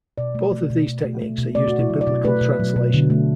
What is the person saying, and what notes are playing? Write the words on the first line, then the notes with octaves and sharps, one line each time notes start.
Both of these techniques are used in biblical translation.
B2 D5
A3
A3
B2
B2
A3
A3
B2
A3 D5
F#4
B2
E4
F#3
D5
B2
A3 B4
B2
F#3
B2
D3
A3